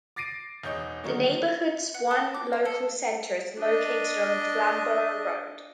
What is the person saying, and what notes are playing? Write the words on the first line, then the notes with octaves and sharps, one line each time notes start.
The neighbourhood's one local centre is located on Flamborough Road.
D6 A6 A#6 C7 D7 D#7
E1 D#4 C#5 G6
D3 D#3 F#3 A#3 C#4 D#4
F#5
A4
D6
C5
A4
D4 D#5